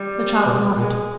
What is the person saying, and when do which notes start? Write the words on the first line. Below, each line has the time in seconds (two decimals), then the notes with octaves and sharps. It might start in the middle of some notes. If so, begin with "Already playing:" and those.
The child nodded.
Already playing: G3
0.79 G#3